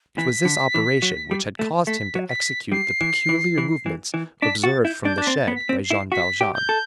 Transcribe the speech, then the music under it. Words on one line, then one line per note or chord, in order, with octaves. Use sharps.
It was this operation which had caused him to execute the peculiar movements observed from the shed by Jean Valjean.
E3 B6
D3
E3
F#3
G3
A3
A3 B6
F#3
B6
G3 C7
E3
E3
E3
E3
E3
D4 B6
F#4 A6
E4 G6
D4 G6
D4 B6
C4 A6
B3
B6
C4
C7
E4
F#4 B6
G4
G6
A4